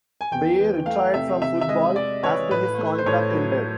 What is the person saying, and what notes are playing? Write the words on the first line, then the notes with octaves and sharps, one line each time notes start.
Beye retired from football after his contract ended.
G#5
E2 G5
E3
A3 F5
C3 E5
C3 E5
E5
G#3 D#5
C3 D5
E3 C#5
A2 B4
A3
C5
A2 C#5
F#3